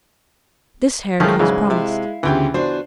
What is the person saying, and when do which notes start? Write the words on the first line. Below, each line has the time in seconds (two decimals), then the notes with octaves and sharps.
This Heracles promised.
1.20 D#3 F3 F#3 G#3 A3 C#4
1.39 G#2 C#3 E3 G#3
1.70 C3 E4 E5 F5
2.23 D2 C#3 E3 B3 F4 G4 G5
2.54 B3 D4 F4 F#4 C5